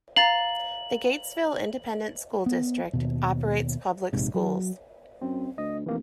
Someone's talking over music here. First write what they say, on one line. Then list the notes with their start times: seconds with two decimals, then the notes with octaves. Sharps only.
The Gatesville Independent School District operates public schools.
0.16 F5 A#5 A6 F#7
2.46 B3
2.93 D#2 B2
4.13 F1 A#1 G#2 C3
4.34 F#3
5.22 F#2 C4
5.58 D2 D#5
5.86 F1 E3 A#3